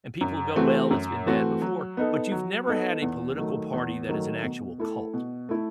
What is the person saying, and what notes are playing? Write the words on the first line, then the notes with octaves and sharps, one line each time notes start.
and people go, "Well, it's been bad before," but you've never had a political party that is an actual cult
F#2
E3 A3 C4 F#4
F#2
E3 A3 C4 F#4
F#3
B3 D#4 A4
F#3
B3 D#4 A4
E2
D#3 F#3 A3
E2
D#3 F#3 A3
B2
A3 E4 A4
B2
A3 E4 A4